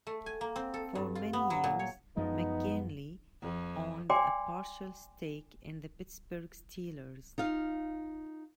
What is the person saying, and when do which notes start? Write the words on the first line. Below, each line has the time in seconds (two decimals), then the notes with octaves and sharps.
For many years, McGinley owned a partial stake in the Pittsburgh Steelers.
0.07 A3
0.26 G#5
0.41 A#3
0.56 C4
0.74 A4
0.95 G2
1.15 F4
1.33 B3
1.50 F#3
1.64 A#2
1.79 C#5
2.17 F#2 F3 G#3 B3 D#4
3.42 F2
4.10 D5 G5 G#5 C6 D6
7.38 D#4 F4 F5